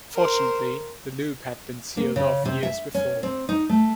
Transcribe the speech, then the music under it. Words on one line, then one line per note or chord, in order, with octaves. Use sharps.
Fortunately, the loop had been sealed off years before.
A#4 C5
A#3
C#3
C3
E5
C#4
C4
D#4
A3